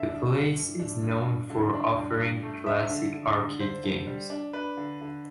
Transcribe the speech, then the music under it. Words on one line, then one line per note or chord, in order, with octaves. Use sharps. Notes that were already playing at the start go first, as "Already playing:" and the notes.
The place is known for offering classic arcade games.
Already playing: D3 E5
D4
G2
G2
D4
G2
G2
D3
D4
G2
G2
A3
D4 E5
D3
D3
D3
D3 C5
D3
G3
D4
D4 B4
D3
D3